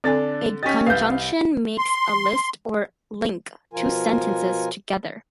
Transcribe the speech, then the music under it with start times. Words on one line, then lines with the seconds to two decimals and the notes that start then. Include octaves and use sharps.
A conjunction makes a list or link two sentences together.
0.04 D3 C4 D4 D5 G#5 A6
0.63 C#4 G4 D#5 A6 B6
0.86 C2 B4 F5 G6
1.78 C6
3.73 B2 F3 F4 A#4 G#5